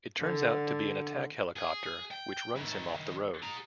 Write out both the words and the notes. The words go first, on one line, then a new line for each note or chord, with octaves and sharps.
It turns out to be an attack helicopter, which runs him off the road.
D3
G#4
G5
D#3 E4
G#4 A#5